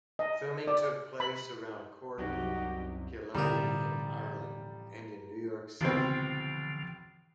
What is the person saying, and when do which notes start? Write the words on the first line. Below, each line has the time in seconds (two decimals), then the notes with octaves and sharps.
Filming took place around Cork and Killarney in Ireland, and in New York City.
0.19 D#5
0.67 D5
1.20 B5
2.18 C2 F#2 D#4 F#4 G4
3.35 A1 F2 B2 D3 G3 A#4 A#5 D#6
5.81 C#2 B2 D3 E3 F3 C4 A6 C7